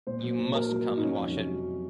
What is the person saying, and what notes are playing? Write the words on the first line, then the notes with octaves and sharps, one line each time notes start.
You must come and wash it.
A#2 C5
F#3
A#2
F#3 A#4
F#3
F#3
D#4
F#3 C#4
F2
C3
F#3